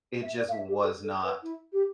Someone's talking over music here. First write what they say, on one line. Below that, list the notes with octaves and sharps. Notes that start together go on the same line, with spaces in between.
it just was not
E5
D5
F5
E5
G4
A4
A4
B4
E4
G4